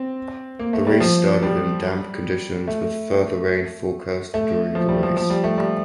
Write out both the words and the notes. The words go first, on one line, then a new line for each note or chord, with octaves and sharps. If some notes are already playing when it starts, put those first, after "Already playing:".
The race started in damp conditions with further rain forecast during the race.
Already playing: C4
A#3
A3
G3
F3
G3
A3
A3
F3
G3
F3
F3
G3
A3
G3